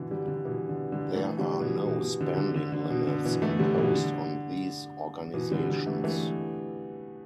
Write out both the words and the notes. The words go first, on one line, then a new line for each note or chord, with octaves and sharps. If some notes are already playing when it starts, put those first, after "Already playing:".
There are no spending limits imposed on these organizations.
Already playing: B2 D3 E3
D3 G3
D3
B2 E3
D3
D3 G3
E3 A3
D3 G3
B2 E3
B2
B2
D3
D3
D3
D3
B2
D3
B2 E3
E3 A3
D3 G3
B2 E3
D3
B2 E3
D3 G3
D3 G3
E3 A3
E3 A3